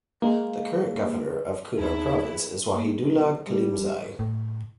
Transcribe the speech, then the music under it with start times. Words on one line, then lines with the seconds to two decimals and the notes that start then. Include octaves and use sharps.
The current governor of Kunar province is Wahidullah Kalimzai.
0.22 G#3 A#3
1.78 D#2 B3 C4 D#4 E4 G#4 A5
2.72 A#3
3.03 B1
3.47 G3
4.19 A2